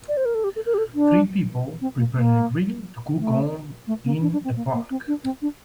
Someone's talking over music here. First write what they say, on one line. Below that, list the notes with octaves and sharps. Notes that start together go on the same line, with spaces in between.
Three people preparing a grill to cook on in a park.
D5
C5
A#4
A4
G4
A4
A#4
G4
A4
D4
C4
A#3
A#3
A3
A3
A#3
D4
D4
C4
A#3
A#3
C4
D4
C4
D4